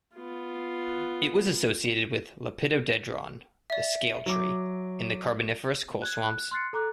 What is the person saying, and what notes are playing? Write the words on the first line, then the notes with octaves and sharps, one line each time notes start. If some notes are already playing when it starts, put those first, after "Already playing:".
It was associated with "Lepidodendron", the scale tree, in the Carboniferous coal swamps.
B3 F4
D5 E5
F#3 D6
F#6 G#6
F#6
C6 F6 F#6 A6 C7 C#7
A4 A#5 D6 F#6